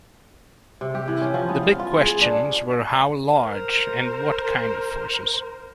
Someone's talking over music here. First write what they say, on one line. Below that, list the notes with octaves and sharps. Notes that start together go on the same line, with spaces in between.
The big questions were how large and what kind of forces.
C3
G4
E3
C#4
F3
B3
F5
F4
G#4
D4
A#4 C5